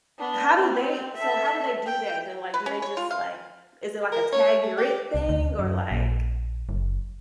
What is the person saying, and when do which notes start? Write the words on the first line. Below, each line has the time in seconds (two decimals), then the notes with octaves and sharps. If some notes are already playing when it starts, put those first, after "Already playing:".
how do they so how do they do that? They're, like do they just, like is it like a "tag, you're it," thing or like
0.18 B3 D4
0.58 C4
1.17 A4 E5
1.86 G5
2.54 B4
2.66 C#4
2.82 C#5
2.97 F4
3.11 F5
4.12 A#4
4.32 C#5
4.63 A3
4.78 G4
5.15 C2
5.29 D2
5.59 F#2
5.91 A#1
6.69 F#1